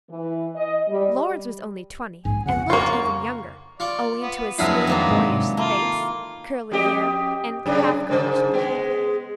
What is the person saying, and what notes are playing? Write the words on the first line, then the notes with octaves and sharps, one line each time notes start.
Lawrence was only twenty, and looked even younger, owing to his smooth, boyish face, curly hair, and half-girlish bloom.
E3
D#5
G3
A#1 G#2 G#5
F2 C#3 F#5
A#3 F4 C#6
F4 D5 C#6
B3
F2 F#3 G#3 B3 D4 E4 F5 C7
D#3 A#3 F4
G#2 C3
A#3 E4 F4 A4
F2 G4 D#5
F#2 C#3 D4
G#2 C#3 C5
G#3 B3